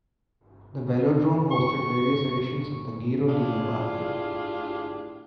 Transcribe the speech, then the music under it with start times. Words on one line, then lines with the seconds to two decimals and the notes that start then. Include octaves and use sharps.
The velodrome hosted various editions of the Giro di Lombardia.
1.51 C#6
3.26 A2 D4 F4 G4 G#4